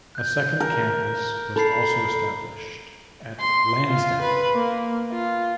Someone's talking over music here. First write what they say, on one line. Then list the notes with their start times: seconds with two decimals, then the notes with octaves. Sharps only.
A second campus was also established, at Lansdowne.
0.15 F#6 G6
0.60 A#4
1.56 A4 A#5 B5 C7
3.40 C6
3.88 F4
4.22 B4
4.54 A#3
5.12 F4